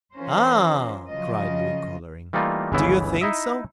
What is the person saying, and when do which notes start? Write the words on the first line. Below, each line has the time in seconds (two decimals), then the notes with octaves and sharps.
"Ah!" cried Louis, coloring, "do you think so?"
0.14 E3 C#4 F4 A#4 C5
1.08 C#3 F3 F#3 F4 D#5
2.33 E3 G3 A3 A#3 D#4 F4
2.72 G1 C#2 C#3 E3 B3 E4
3.21 D#4 E4 D#5 E5